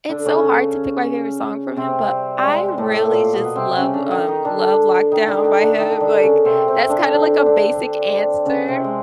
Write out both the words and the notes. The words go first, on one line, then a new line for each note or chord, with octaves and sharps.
it's so hard to pick my favorite song from him, but I really just love, um, Love Lockdown by him, like that's kind of like a basic answer.
D3 D4
C#3 C#4
C3 C4
G3
G3 G#3
A2 A3
A#2 A#3
B2 B3
B3
C3 C4
C#3 C#4
D3 D4
D#3 D#4
D#3 D#4
D3 D4
D#3 D#4
D3 D4
D#3 D#4
D3 D4
D#3 D#4
D3 D4
C#3 C#4
C3 C4
C3 C4
D3 D4
D3 D4
D3 D4
C#3 C#4
C3 C4
G#3